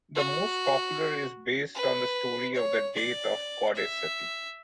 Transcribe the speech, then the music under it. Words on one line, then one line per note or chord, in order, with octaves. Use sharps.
The most popular is based on the story of the death of goddess Sati.
F#4
B4
C#5
D5
E5